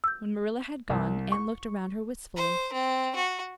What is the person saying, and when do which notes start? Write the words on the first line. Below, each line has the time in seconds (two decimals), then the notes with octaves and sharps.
When Marilla had gone Anne looked around her wistfully.
0.04 E6 G6
0.90 C2
1.32 C#6
2.37 C5
2.73 C4
3.15 F#4